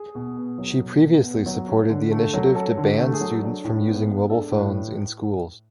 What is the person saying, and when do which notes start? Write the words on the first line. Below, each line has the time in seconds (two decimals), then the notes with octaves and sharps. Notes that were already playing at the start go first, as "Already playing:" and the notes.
She previously supported the initiative to ban students from using mobile phones in schools.
Already playing: G#4
0.15 B2
0.37 B3
0.58 F#3
0.80 B2
1.03 B2
1.24 B3
1.46 F#3
1.68 C#4
1.90 D3
2.11 A3
2.34 F#3
2.55 C#4 A4
2.78 D3
2.84 F#4
2.98 A3
3.13 G#4
3.20 F#3
3.42 D4 A4
3.64 A2
3.86 B3
4.09 G#3
4.30 D4 A4
4.51 A2
4.60 B4